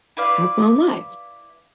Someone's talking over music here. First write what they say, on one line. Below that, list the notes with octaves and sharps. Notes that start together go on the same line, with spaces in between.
I have my own life."
E4 B4 D5 F5